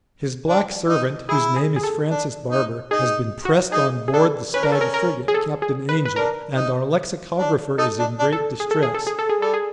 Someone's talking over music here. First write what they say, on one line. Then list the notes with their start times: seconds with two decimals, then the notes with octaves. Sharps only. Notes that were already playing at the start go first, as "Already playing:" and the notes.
His black servant, whose name is Francis Barber, has been pressed on board the Stag Frigate, Captain Angel, and our lexicographer is in great distress.
0.48 D4
0.88 D#4
1.29 E4 G#4
1.56 G#4
1.76 G#4
1.83 A4
2.10 D4
2.51 D#4
2.91 D#4 G#4
3.45 F#4
3.72 D#4 G#4
4.08 G#4
4.13 D4 A4
4.54 C#4 B4
4.63 D4 A#4
4.72 C#4 A4
4.81 A#4
4.94 A#4
5.28 G#4
5.34 A4
5.62 G#4
5.89 B4
6.05 B4
6.16 D4 A#4
6.56 D#4
7.38 D4
7.78 D#4 A4
7.99 D4
8.19 D4
8.32 A4
8.60 G#4
8.71 A4
8.83 G#4
8.94 A4
9.07 G#4
9.19 A4
9.29 G#4
9.41 G3 A4
9.54 G#4